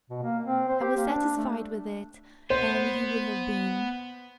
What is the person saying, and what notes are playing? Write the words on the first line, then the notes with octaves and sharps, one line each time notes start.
I was satisfied with it, and he would have been.
B2
A#3
C4
C5
G4
A#3
D4
A3
B3 C5